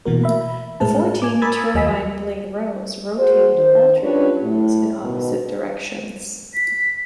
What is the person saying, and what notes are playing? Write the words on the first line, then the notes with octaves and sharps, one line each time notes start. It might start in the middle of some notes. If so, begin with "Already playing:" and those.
The fourteen turbine blade rows rotated alternate rows in opposite directions.
B2 E3 A3 A#3 F#4 A#4
E5 B5
A2 G#3 A#4 A5
G#5 D6
A#4 B5 D#6 E6 G#6 A6
D#2 F#3 D#5 G#5 E6 B6
A#3 F#4 G#4 C5
D#3 C5
C#4 D4 F4 G4 B4 C#5
A2
B2 D#3
B6